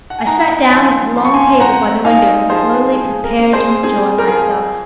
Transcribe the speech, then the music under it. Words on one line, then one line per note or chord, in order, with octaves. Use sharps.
I sat down at the long table by the window and slowly prepared to enjoy myself.
F#5
G#5
D#4 F#5 A#5
F3 G#5 C6
F3 C6
C#6
G#5 C6
C4 F#5 A#5
D#4 F5 G#5
F3 G#4 C5
F3 G#4
A#4
C4
G#4 C5
C4 G#4
A#4
F3 G#4